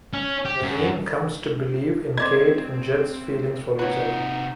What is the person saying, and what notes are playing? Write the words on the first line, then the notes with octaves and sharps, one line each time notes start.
Janine comes to believe in Kate and Jed's feelings for each other.
C#4
G4
F#2
C4 C5 D5 D#5 G#6
C3 D#4 F#4 B4 C#5